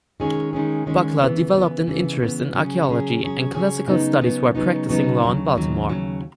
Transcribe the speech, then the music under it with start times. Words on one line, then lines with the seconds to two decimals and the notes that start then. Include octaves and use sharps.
Buckler developed an interest in archaeology and classical studies while practising law in Baltimore.
0.20 D#3 G#3 C#4 G#4
0.53 D#3 G#3 C#4 G#4
0.86 D#3 G#3 C#4 G#4
1.20 C#3 E3 B3
1.53 C#3 E3 B3
1.88 C#3 E3 B3
2.20 C#3 E3 B3
2.54 C#3 F#3 C#4 G#4
2.88 C#3 F#3 C#4 G#4
3.21 C#3 F#3 C#4 G#4
3.55 C#3 F#3 C#4 G#4
3.88 C#3 F#3 B3 D#4
4.21 C#3 F#3 B3 D#4
4.55 C#3 F#3 B3 D#4
4.89 C#3 F#3 B3 D#4
5.22 D#2 C#3 F#3
5.56 D#2 C#3 F#3
5.89 D#2 C#3 F#3